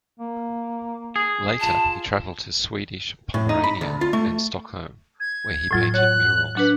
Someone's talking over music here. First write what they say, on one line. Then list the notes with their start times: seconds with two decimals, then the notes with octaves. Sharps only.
Later he traveled to Swedish Pomerania and Stockholm, where he painted murals.
0.19 A#3
1.16 G#4
1.60 F4 A5
3.34 A2
3.49 D#4
3.64 B5
3.81 D2
4.01 F4
4.13 A3
5.20 G#6
5.71 A2 F#3 F4
5.94 C#5 F#5 F#6
6.55 F#3 D4 B4 F#5